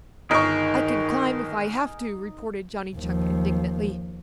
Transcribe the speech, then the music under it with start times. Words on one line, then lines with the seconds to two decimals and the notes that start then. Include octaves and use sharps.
"I can climb if I have to," retorted Johnny Chuck indignantly.
0.31 G1 D#3 D#4 G#4 A#4 C#6
2.96 D#2 F3